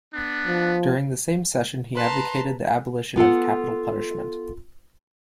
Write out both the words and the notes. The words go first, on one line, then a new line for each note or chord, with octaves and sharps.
During the same session he advocated the abolition of capital punishment.
B3 D4
F3
B4 A5 A#5 C6
B3 F4 A4 F#5